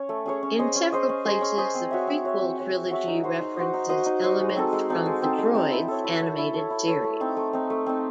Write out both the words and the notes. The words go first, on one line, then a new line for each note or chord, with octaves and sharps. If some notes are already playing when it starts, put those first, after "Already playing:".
In several places, the prequel trilogy references elements from the "Droids" animated series.
Already playing: C#4 C#5
A3
C#4 G#4 C#5
C#4
G#4 C5 D#5
C#4
G#4 C5 D#5
C#4
G#4 C5 D#5
C#4
G#4 C5 D#5
C4
F#4 C#5 E5
C4
F#4 C#5 E5
C4
F#4 C#5 E5
C4
F#4 C#5 E5
D#4
F#4 C5 D#5
D#4
F#4 C5 D#5
D#4
F#4 C5 D#5
D#4
F#4 C5 D#5
G#3
C4 D#4 A4
G#3
C4 D#4 A4
G#3
C4 D#4 A4
G#3
C4 D#4 A4
E4
A4 C#5
E4
A4 C#5
E4
A4 C#5
E4
A4 C#5
A3
C4 D#4
A3
C4 D#4
A3
C4 D#4